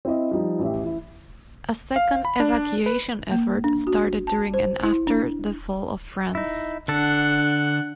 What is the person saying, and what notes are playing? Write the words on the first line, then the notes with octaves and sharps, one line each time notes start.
A second evacuation effort started during and after the fall of France.
C4 E4 D#5
F3 G3 D#4
A1 G4 E5
E3 E4
F5
B5
D4
B4
A#3
D4
F#4
A5
C5
E4
D4
D#4 E4
D3 D4 A4 F#5